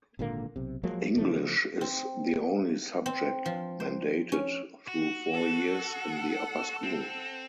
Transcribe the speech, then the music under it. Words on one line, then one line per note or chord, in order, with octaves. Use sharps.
English is the only subject mandated through four years in the Upper School.
G#1 A#2 D3 A#3
B1 C3
F3 F#3 G#3 A#3
C#3 F3 A3
C4
C4
F3
C5
C#4
F#4
A4 F#5
C4